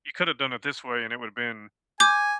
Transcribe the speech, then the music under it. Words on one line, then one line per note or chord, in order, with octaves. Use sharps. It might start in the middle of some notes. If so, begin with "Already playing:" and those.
You coulda done it this way, and it would’ve been"
G#5 D6 G6